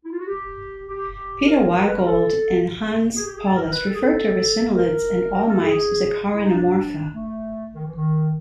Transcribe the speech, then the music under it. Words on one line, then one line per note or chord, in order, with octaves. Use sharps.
Peter Weygoldt and Hannes Paulus referred to ricinuleids and all mites as "Acarinomorpha".
E4
F4
F#4
G4
G4
A#4
B4
A#4
A4
G#4
G4
G#4
A4
A#4
B4
A4
G#4
A4
A#4
A#4
A4
G#4
E4
D#4
D4
A3
D#3
E3
D#3